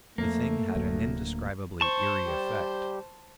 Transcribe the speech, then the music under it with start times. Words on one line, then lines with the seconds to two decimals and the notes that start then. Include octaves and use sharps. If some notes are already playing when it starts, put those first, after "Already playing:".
The thing had an indescribably eery effect.
0.18 F2 A3 A#3
0.75 D1 D2 F#3
1.81 C5 A5 C#6
2.25 G3 G4